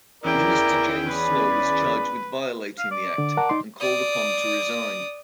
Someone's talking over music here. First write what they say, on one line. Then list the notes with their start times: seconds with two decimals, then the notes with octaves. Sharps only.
Minister James Snow was charged with violating the act, and called upon to resign.
0.24 E2 C#4 E4 G#4 A#4 D5 G5
1.08 B4 D5 B5
2.79 F5
2.91 D5
3.18 D3
3.37 A#4 F#5 A5
3.49 D#4 C6
3.81 D5 D#6